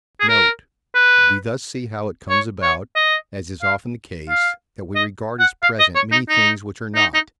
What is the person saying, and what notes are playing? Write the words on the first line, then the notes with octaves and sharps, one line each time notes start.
Note.--We thus see how it comes about, as is often the case, that we regard as present many things which are not.
G#4
A#4
B4
C#5
C#5
D#5
F5
F5
D#5
F#5
F5
D#5
C#5
D#4
D#4
D#4
D#4